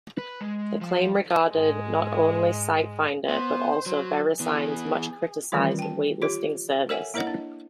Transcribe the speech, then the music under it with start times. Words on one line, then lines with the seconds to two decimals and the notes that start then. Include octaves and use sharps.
The claim regarded not only Site Finder, but also VeriSign's much-criticised Wait Listing Service.
0.18 B4
0.41 G#3
0.81 F3
1.50 G#2 G#3
3.29 B3 C5
3.86 F#3
4.40 E3 B3 G#4
5.52 D#3 E3 G3 A3 C#4 F4
5.79 G5 A5
6.22 F4 G4 C#5
6.89 A4 A#4 C#5 E5 F#5 G#5
7.14 A#3 E4 A#4 C#5 D#5 F#5
7.27 D4